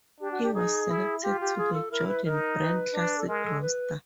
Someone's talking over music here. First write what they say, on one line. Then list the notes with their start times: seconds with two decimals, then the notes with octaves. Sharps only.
He was selected to the Jordan Brand Classic roster.
0.20 D4 G4
0.31 F#4
0.43 G4
0.54 D#4 G#4
0.89 E4
1.22 F4 G4
1.40 G4
1.57 G#4
1.73 A4
1.91 E4 A#4
2.08 B4
2.25 D#4 A#4
2.59 B4
2.93 D4
3.18 A4
3.28 G#3 A#4
3.45 A4
3.61 B4